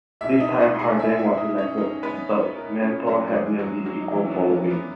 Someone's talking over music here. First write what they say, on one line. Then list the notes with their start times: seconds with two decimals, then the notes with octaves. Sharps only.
This time Hardang was elected, but Manthor had nearly equal following.
0.21 C#2 B2 E4 E5
0.40 D#4 D#5
0.60 F#4 F#5
0.79 G#4 G#5
0.99 E4 E5
1.19 E4 E5
1.38 D#4 D#5
1.58 C#4 C#5
1.78 D#4 D#5
2.03 B3 B4
2.55 A#3 A#4
2.81 C#3 C#4
3.07 F#3 F#4
3.28 F#4
3.33 E2 C#3 E3 G#3 G#4
3.59 F#3 F#4
3.86 F#3 F#4
4.00 D#4
4.12 E3 E4
4.25 C#4
4.31 B3
4.46 B3
4.51 A#3
4.63 A#3
4.71 B3